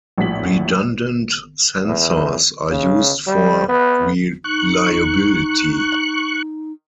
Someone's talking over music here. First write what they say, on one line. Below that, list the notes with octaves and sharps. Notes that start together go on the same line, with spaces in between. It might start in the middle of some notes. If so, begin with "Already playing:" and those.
Redundant sensors are used for reliability.
A#1 A2 F#4 B6 F#7
E2
C#3
G3
B3
D#4 C#6 F#6